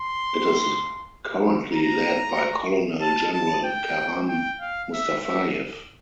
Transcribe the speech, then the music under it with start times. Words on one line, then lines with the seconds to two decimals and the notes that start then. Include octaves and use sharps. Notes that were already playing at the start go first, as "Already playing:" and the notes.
It is currently led by Colonel General Karam Mustafayev.
Already playing: C6
1.73 A#5
3.01 A5
3.32 A5
3.65 G5
4.28 G5
4.61 F5
4.93 E5
5.25 E5